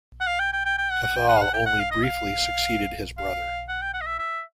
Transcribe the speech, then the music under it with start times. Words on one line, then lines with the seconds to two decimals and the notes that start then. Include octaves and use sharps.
Cathal only briefly succeeded his brother.
0.21 F#5
0.27 F5
0.40 G5
0.53 G5
0.66 G5
0.78 G5
0.91 F#5
1.03 F#5
1.16 G5
1.29 F#5
1.37 F5
1.42 F#5
1.54 G5
1.66 F#5
1.80 F5
1.91 D#5
2.04 F5
3.18 F5
3.69 F#5
3.82 G5
3.94 F#5
4.01 D#5
4.07 E5
4.19 E5